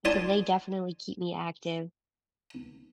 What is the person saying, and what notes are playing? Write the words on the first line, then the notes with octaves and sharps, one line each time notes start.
so they definitely keep me active,
D5 G#5 A5 C6